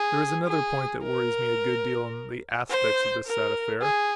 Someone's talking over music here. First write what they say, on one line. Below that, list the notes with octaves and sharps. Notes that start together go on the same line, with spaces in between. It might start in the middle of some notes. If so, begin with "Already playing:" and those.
There is another point that worries me a good deal in the aspects of this sad affair.
Already playing: G#4
G#4
A#4
C5
A#4
G#4